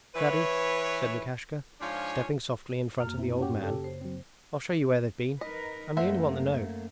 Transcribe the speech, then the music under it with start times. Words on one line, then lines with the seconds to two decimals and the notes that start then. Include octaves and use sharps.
Daddy,' said Lukashka, stepping softly in front of the old man; 'I'll show you where they've been--I'm the only one that knows.
0.15 E3 B4 C#5
1.80 G#2 F3 D4 F4 C#5 G#5
3.00 F#2 A#3 F6
3.18 C3 C4 E4
3.40 C#4 F#4 G4
3.61 C#3 C#4 G4 A4
3.84 C5
4.01 F#3 C4
5.41 D#4 A#4 B4 D#5
5.97 F#2 A3 A#3 C5 E5 F#5